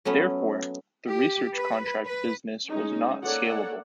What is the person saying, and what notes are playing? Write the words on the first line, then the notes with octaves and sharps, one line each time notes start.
Therefore, the research contract business was not scalable.
F#3 A3 B3 C#4
G4
B4
B4
G#3 C#4 D#4
A#3 A4 C#5 D5 F#5